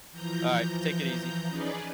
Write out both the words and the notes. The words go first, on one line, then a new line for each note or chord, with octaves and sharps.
Alright, take it easy.
E3 F3 A#5 G6
C#4 D#4 G#4 B4 D5